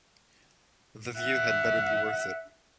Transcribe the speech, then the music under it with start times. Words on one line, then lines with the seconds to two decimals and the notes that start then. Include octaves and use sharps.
The view had better be worth it.
1.19 E5 F#5